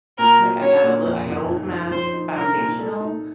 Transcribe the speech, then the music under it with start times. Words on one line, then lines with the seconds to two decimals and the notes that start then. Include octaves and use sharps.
like, "I got a li I got old math's foundational,
0.18 A#2 A#4
0.39 F#3
0.62 C#4 C#5
0.83 A#2
1.06 F2
1.26 F#1
1.48 D#4
1.70 F3
1.91 F3 C5
2.13 D#4
2.35 C2 A#4
2.56 A#2
2.79 A4
3.00 D#4